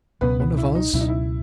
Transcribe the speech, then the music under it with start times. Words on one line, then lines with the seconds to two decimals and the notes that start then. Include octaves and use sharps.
One of us?
0.21 C#2 B2 F#3 B3 C#4 B4
0.40 B3 B4
0.57 E4
0.75 D#4
0.93 C#2 B2 F#3 C#4 E4
1.01 D#4
1.08 E4